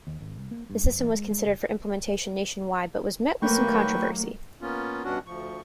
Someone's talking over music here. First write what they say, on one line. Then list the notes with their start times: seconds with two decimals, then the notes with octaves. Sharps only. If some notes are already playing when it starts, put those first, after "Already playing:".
The system was considered for implementation nationwide, but was met with some controversy.
0.07 D#2
0.20 G#1
0.36 C2
0.51 A#3
0.70 G2
0.83 F#2
0.99 A1
1.14 G#3
1.31 G#3
1.45 F#1
3.42 D#2 F#3 A3 A#3 B4 G5 C#6
4.62 A#3 B3 C#4 F4
5.04 G2 B2 C#4 D4 F#4
5.27 D2 F3 C#6